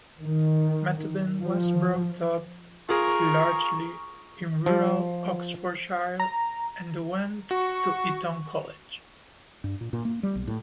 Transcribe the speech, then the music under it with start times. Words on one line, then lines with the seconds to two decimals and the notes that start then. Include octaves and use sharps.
Methven was brought up largely in rural Oxfordshire and went to Eton College.
0.19 D#3
1.43 F3
2.89 F4 G#4 A#4 C#6
4.66 F3
6.20 A#5
7.51 F#4 C#6
9.64 G2
9.81 A#2
9.93 A#2
10.05 A#3
10.23 G3
10.35 B1
10.47 A2